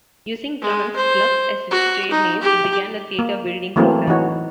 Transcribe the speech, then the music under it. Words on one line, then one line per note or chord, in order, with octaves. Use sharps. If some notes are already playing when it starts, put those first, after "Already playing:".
Using Trans-Lux as its trade name, it began a theater-building program.
G#3
C5
F#4
D#4
G4
A#3
E3 F#3 A3 A#3 C4
E3 D#4 F#4 C#5